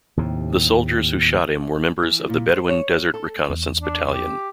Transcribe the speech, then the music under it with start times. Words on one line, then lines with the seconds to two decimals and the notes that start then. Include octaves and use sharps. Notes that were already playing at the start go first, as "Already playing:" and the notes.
The soldiers who shot him were members of the Bedouin Desert Reconnaissance Battalion.
0.17 D#2 A2 C3
2.02 E3
2.29 A#2
2.50 C5
2.69 C#5
3.14 A4
3.50 E2
3.82 D4
4.12 G4